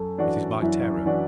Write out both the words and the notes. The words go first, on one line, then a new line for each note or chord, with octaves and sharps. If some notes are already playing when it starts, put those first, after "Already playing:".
It is by terror.
Already playing: F#2 A4
E3 D4 F#4 D5
F#2 E4
E3 D4 F#4 D5